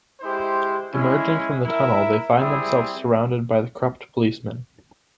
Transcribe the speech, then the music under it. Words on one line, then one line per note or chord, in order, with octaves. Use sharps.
Emerging from the tunnel, they find themselves surrounded by the corrupt policemen.
G#3 E4 G4 C5
G#3 C#4 E4
E4 A#4 E5
G3 C4 E4 G#4 E5